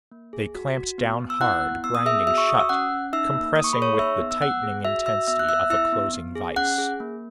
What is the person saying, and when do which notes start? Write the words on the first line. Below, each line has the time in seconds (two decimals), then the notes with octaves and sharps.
They clamped down hard, grinding shut, compressing with the tightening intensity of a closing vise.
0.12 A#3
0.33 G#4
0.55 F#4
0.77 F#4
0.98 B3
1.19 B3
1.30 E6
1.41 E4 F#5 F#6
1.62 B3
1.84 B3 E6
1.95 D#6
2.05 G#4 E5 E6
2.27 F#4 E5 E6
2.38 C#6
2.48 F#4 D#6
2.59 E6
2.69 C#4 F#5 F#6
2.91 C#4
3.13 D#4 E5 E6
3.34 A#3
3.56 A#3 D#6
3.64 C#6
3.73 B5
3.77 G#4 C#5 C#6
3.99 D#4 E5 E6
4.20 B3
4.31 E6
4.42 B3 F#5 F#6
4.63 G#4
4.84 F#4 E5 E6
5.06 F#4 E5 E6
5.27 B3 E5 E6
5.39 F#6
5.49 B3 E5 E6
5.70 E4 E5 E6
5.92 B3
6.14 B3
6.35 G#4
6.56 C#4 F#5 F#6
6.78 G#4
7.00 A#3